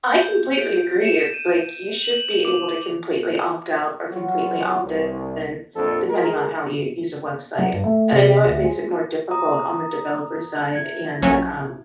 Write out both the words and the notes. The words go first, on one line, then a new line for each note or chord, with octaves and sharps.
I completely agree, like, you should be able to completely opt out or completely opt in, depending on how you use a website. And I know it makes it more difficult on the developer side and, um,
G6
D7
E7
D#7
F#7
D6
F#3 F4 F#4
C2
A#1 F2 F3 D4 A4
G#3 A#4
F#3
G2
A3
C3
D2
G#3
A#5 D#6
E4 G#6
A#1 F#3 C#4